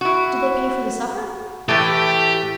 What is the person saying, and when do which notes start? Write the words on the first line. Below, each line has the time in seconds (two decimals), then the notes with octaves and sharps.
"Did they pay for the supper?"
0.01 E4 F#4
1.69 A2 E3 A3 G4